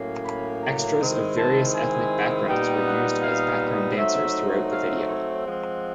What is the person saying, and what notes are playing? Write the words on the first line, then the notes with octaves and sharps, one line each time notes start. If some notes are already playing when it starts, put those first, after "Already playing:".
Extras of various ethnic backgrounds were used as background dancers throughout the video.
Already playing: A2 F#3 A#3 C#4
B5
A#5
D#3 G#3 C4 E4
A5
G#5
A#2 G3 B3 D#4 G5
F#5
F5
F#3 A3 C4 D#4 E5
F5
C#5
F3 G#3 C4 F#5